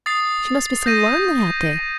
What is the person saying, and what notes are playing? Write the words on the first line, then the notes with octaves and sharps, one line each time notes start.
She must be so lonely out there.
D#6 A6 C7
G6 A#6 D#7